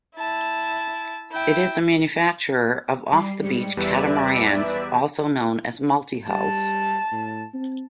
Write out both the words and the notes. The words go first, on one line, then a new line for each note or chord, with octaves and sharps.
It is a manufacturer of off-the-beach catamarans, also known as multihulls.
E4 A5
E4 G5
G3 C7
G#2 G3 C#7
E2 G3 G4 B4 D5 E5
G3 A5
A2
C4